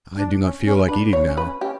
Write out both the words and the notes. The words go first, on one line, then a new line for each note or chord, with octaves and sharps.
I do not feel like eating now.
D4
C#4
C#4
D4 B4
C#5
C#4
B4
C#4
C#4 G4